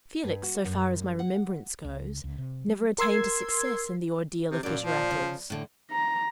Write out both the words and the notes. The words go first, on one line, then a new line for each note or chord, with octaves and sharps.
Felix, so far as my remembrance goes, never attained to success in the Ordeal of Bitter Apples.
G2
F#4
F#2
F#5
C#2
C#2
C3
G3
A#4 C6 E6 G#6 C7
C3
F#2 A#2 D5
F3
C#3
A2 D3
A#5